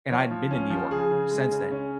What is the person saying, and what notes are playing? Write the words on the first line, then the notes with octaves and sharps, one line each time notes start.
and I hadn't been to New York since then,
F3 C#5
F3
C#4
F3
C#3 G#4
C#3
G#3
C#3
C#4